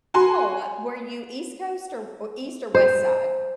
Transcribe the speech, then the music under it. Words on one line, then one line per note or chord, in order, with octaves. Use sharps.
Oh, uh, were you East Coast or East or West Side?
F#4 G#5 C6
C5